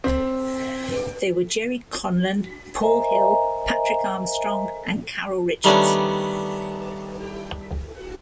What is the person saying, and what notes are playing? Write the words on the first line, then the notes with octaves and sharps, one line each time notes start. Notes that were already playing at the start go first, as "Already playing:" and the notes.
They were Gerry Conlon, Paul Hill, Patrick Armstrong and Carole Richardson.
C4
A#4 C5 D#5 E5 G#5 A#5
D#3 G3 A3 B3 C#4 D4